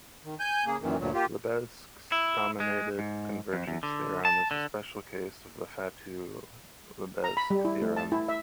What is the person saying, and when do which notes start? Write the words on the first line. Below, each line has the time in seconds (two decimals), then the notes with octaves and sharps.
Lebesgue's dominated convergence theorem is a special case of the Fatou-Lebesgue theorem.
0.25 D#3
0.40 G#5 G6
0.66 C#3 A#3 G#4
0.81 F#2 A#2 D#3 E3
0.99 D2 G2 A#2 F#3
1.14 A#3 F4 G4
2.12 E4
2.60 G#3
2.99 G#2
3.53 F2
3.67 E2
3.83 D3
4.25 A5
4.51 D3
7.24 A#5
7.37 B5
7.50 G3
7.65 E4
7.82 A3
7.97 A5
8.12 E4
8.28 E5